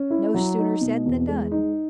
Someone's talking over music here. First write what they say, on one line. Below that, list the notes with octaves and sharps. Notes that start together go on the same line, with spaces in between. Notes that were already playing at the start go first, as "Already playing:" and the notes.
No sooner said than done.
Already playing: C#4
E4
F#3
D#4
B2
E2
G#3
D#4